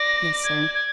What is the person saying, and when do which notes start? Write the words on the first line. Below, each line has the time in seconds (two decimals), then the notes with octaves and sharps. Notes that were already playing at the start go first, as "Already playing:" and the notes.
"Yes, sir."
Already playing: D5 A#6
0.44 G#6
0.74 G#6